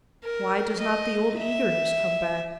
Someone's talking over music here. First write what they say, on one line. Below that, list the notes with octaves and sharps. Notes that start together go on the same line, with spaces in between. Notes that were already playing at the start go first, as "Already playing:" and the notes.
Why does not the old eagerness come back?
A#4
D#5
E5